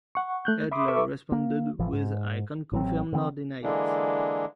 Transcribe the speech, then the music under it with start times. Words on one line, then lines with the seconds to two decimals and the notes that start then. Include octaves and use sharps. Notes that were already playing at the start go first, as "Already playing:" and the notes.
Adler responded with "I can't confirm nor deny it".
0.15 F#5 C#6
0.45 A3 F#6 G6
0.72 E5 B5 C6 D6 D#6
0.88 A4 B4 E5 C#6 D6
1.32 A#3
1.79 A1 E3 F3
1.93 G#2
2.72 A1 F#3 C4
3.13 D3 E3 B3 C4
3.63 D3 E3 G#3 A#3 D4